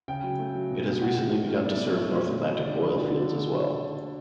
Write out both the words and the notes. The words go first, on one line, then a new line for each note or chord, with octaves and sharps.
It has recently begun to serve North Atlantic oil fields as well.
C#3 G5
F#3
A3
F#3
B2
B2
A3 F#5
A3
A2
A2
E5
B3 D5
B3
D5
A3 C#5
B2
A3
A3
D3 D5
D3
F#3
D3